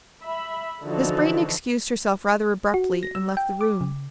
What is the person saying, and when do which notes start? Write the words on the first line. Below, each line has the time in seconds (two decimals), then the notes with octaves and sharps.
Miss Brayton excused herself rather abruptly and left the room.
0.24 E5 B5
0.83 D3 E3 F3 D#4 F#4 A4
2.74 F#4
3.03 A#6
3.15 E6
3.37 G5
3.61 D6
3.81 C#3